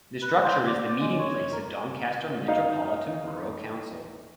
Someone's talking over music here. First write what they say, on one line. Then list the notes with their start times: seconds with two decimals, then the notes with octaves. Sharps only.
The structure is the meeting place of Doncaster Metropolitan Borough Council.
0.22 B4
0.43 C5
0.66 D5
0.99 G#3
1.19 C#5
1.52 A#4
2.48 D#4 F5